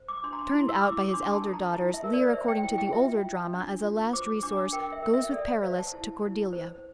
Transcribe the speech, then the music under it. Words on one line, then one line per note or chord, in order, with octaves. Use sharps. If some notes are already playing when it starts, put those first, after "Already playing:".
Turned out by his elder daughters, Leir, according to the older drama, as a last resource, goes with Perillus to Cordelia.
Already playing: C5
D6
D4 C6
A#5
C6
E4 C6
E6
E4 D6
D6
D4 C6
A5
A4
A#5
E4 A5
E5
A#4
D5
C5 E5
G5
E4 G5
G5
F4 E5
F4
D4
F4
C5 D6
D4 D6
A#4 G5
E5
A#4
E5
A4 D5
C5 F5
A5
E4
E4
C5